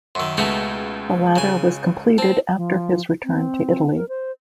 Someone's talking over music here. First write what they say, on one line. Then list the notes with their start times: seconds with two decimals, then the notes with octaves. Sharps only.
The latter was completed after his return to Italy.
0.15 F#2 D#3 C6 C#6 E6
0.37 C#2 B2 G#3 A3 D#4 C#7
1.36 C#3 G#5
2.18 C4 A5 C7
2.55 F3
3.24 C4
3.95 A#4
4.09 C5